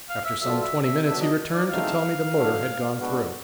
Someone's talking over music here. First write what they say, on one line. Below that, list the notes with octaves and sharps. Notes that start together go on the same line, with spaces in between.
After some twenty minutes he returned to tell me the motor had gone through.
F5
E5
F#3 B3 D4 F4 A4 E5
E5
E5
F#3 B3 D4 F#4 E5
D#5
D5
C#3 E3 A3 C4 D#4 F5
F2 D3 F#3 A3
B2 G#3 B3 D4 F#4